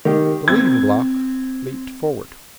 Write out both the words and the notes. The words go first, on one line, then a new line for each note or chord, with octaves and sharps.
The leading block leaped forward.
D#3 G4
C4 G#6